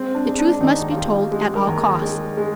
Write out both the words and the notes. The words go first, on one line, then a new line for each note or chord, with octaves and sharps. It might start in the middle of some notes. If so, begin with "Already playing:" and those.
The truth must be told at all costs.
Already playing: G#3 C4
D4
G#3
D4
D#2 D#4
F4
D#3 G4
G#3
A#4
D#2
G#3
G#3